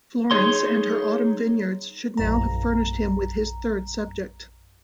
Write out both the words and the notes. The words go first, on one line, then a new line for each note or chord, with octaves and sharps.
Florence and her autumn vineyards should now have furnished him with his third subject.
D#4 G#4 C#5 C6
A#1 F#2 A#5